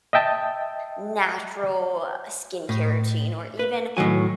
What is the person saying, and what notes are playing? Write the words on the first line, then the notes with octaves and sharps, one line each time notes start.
natural skincare routine or even
D#5 E5 G5 A5
A2
B4
A2 D#3 F#3 G#5